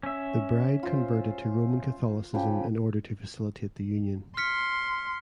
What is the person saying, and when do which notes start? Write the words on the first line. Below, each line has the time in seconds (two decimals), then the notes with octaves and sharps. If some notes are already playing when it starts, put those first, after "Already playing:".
The bride converted to Roman Catholicism in order to facilitate the union.
0.03 C#4 E5
0.83 F4 C5
2.34 C#3 F3 G4
4.37 C6 F6 B6 C#7